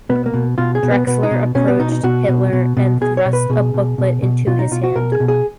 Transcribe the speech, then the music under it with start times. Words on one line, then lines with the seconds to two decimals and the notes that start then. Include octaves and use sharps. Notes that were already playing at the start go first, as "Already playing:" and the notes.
Drexler approached Hitler and thrust a booklet into his hand.
0.09 B2 B3
0.26 A#3
0.34 B2
0.58 B2 F4
0.75 G#4
0.83 B2
0.91 B3
1.07 B2 B3
1.23 D#4
1.31 B2
1.55 B2 C#4
1.68 B3
1.80 B2 D#4
1.92 D#4
2.03 B2 F#4
2.28 B2
2.53 B2
2.77 B2
3.01 B2 G#4
3.17 C#5
3.26 B2
3.33 B4
3.50 B2 G#4
3.74 B2
3.98 B2
4.22 B2
4.47 B2 F4
4.59 D#4
4.71 B2 F4
4.84 F#4
4.96 B2 A#4
5.12 G#4
5.20 B2
5.28 G#4